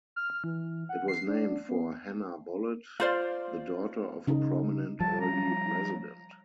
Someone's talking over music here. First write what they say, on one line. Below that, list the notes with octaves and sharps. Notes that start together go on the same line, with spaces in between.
It was named for Hanna Bullett, the daughter of a prominent early resident.
F6
E3
F#5
C7
D4
B3
F4 C5 D5 F5
C#3 D#4
F3 G3 A5
A#5